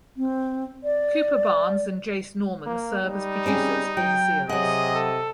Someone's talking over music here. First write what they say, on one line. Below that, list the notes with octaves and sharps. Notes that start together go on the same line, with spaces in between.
Cooper Barnes and Jace Norman serve as producers for the series.
C4
D5
A#3
G3 D#4
C4 C#4 G#4
F#3 G5
C3 F#3 G#4 D#5 F#5
A4